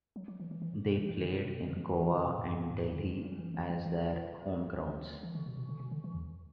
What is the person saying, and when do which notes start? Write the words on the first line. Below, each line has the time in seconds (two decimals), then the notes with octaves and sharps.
They played in Goa and Delhi as their home grounds.
0.16 F#3
0.28 F#3
0.40 E3
0.51 E3
0.62 E3
0.74 A2
0.85 B2
0.97 E3
1.09 E3
1.19 D3
1.31 B2
1.42 B2
1.66 D3
1.77 E3
1.88 E3
2.01 E3
2.12 D3
2.24 B2
2.34 A2
2.46 F#2
2.70 A2
2.93 D3
3.24 F#3
3.38 E3
3.54 E3
3.70 E3
3.85 E3
5.23 E3
5.35 D3
5.46 B2
5.57 B2
5.69 D3
5.80 B2
5.91 D3
6.04 E3
6.14 E2